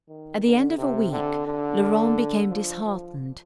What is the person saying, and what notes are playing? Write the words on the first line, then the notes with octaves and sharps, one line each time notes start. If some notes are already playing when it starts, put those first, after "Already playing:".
At the end of a week, Laurent became disheartened.
D#3
D3
C3
D3
D3
F3
F3